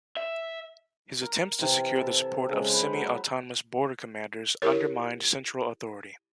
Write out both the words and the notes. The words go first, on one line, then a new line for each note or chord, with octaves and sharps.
His attempts to secure the support of semi-autonomous border commanders undermined central authority.
E5
A#4
C3 E3 C6
E4 A4
C#3 G#3
B4 C5
F#3
E4 G4 A#4 C#5